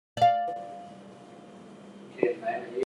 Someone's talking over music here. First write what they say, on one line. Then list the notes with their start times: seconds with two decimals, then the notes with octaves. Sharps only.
Brisbane Water National Park is vulnerable to various environmental threats.
0.17 D5 F5